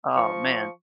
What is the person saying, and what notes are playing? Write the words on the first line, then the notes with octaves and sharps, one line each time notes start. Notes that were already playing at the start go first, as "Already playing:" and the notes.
Oh, man.
F3 C#6